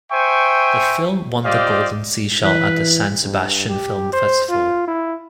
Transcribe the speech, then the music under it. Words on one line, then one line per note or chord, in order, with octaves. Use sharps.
The film won the Golden Seashell at the San Sebastian Film Festival.
C5 E5 G5 G#5 C#6
F4 G4 C5 D5 D#5 F5
E3 B4
G2
G4
C5
F4
E4